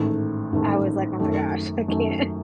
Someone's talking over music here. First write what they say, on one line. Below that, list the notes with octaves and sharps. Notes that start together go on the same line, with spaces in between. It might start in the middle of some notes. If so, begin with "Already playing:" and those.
I was like, oh my gosh, I can't
Already playing: A1 G#2 D#3 A3
A1 G#2 D#3 A3
F#2 D#3 A3
F#2 D#3 A3